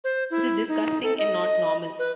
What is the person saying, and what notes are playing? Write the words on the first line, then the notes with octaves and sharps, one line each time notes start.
This is disgusting and not normal!
C5
E4
D#4
A4
D#5
B4